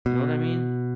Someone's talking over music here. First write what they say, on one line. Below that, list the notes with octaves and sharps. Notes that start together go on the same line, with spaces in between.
You know what I mean?
B2